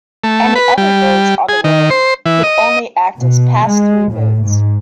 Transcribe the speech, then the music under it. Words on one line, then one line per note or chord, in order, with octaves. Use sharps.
Any other nodes on the ring could only act as pass-through nodes.
A3
B4
G3
G#4
D#3
C5
E3
D#5
B2
G#3
A2
G#2